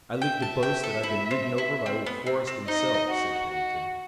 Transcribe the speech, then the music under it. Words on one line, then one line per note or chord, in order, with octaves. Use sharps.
"I live to boast that I've been ridden over by old Forrest himself," said Pennington.
E5 G5
A5
G5
A4
E4
C4
E4
C4
B3
C4
C4
D#4 D#5
F#4
F#4